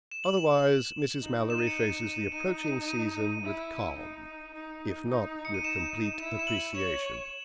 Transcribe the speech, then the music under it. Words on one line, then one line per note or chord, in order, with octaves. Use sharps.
Otherwise Mrs. Mallory faces the approaching season with calm, if not with complete appreciation.
E7
F#7
E7
D#4
E7
D#7
C#7
D#7
D#4 D#7
D#7
D#7
E4
D#4
D#4
D#4
C#7
D#7
D#4 E7
E4 E7
E7
F#7
C#5 E7